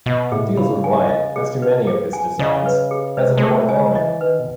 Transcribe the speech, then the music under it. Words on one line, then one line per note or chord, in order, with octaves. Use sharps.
It deals with light, as do many of his designs, as an important element.
B2 D#5
A2 G#4
C#3 B5
G#5
D#5
G#4
B4
G#4
G#5
C#3 D#5
B4
G#4
G#3 B4
G#3
A3 G#4
G#3 G#5
E3 D#5
D#3 B4
B2